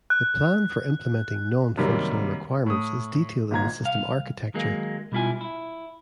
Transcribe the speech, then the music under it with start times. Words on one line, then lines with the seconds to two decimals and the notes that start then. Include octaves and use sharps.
The plan for implementing "non-functional" requirements is detailed in the system "architecture".
0.10 F#6
1.77 F#2 C3 D#3 G3 A#3
2.66 A2 D#6
3.51 G#1 A#2 A#5 G#6
3.84 C2 F5
4.54 D#3 F#3 G#3 A#3
5.12 B2 G3 D4 E4 F4 G#5
5.41 E4